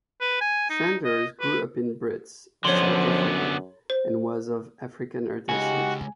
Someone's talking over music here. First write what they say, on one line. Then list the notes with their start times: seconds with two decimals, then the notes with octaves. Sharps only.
Sanders grew up in Brits, South Africa, and was of Afrikaner descent.
0.21 B4
0.41 G#5
0.70 D#4
1.05 D#5
1.40 B4
2.65 F#2 D3 F3 B3 C#5 C6
3.90 C5
5.49 C#2 G#3 D#4 F#4 G4 G#5